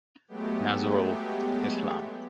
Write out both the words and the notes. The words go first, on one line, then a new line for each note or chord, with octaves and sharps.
Nazrul Islam.
F#3 G#3 A3 B3 G4